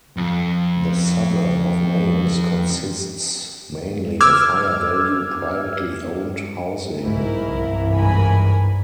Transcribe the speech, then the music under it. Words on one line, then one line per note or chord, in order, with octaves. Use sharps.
The suburb of Mayals consists mainly of higher value privately owned housing.
F2 F3
D6 E6 F6 G#6
B1 G#2 E4 A#4
C2 G2 E3
G1 G#2 A#4 G#5 B5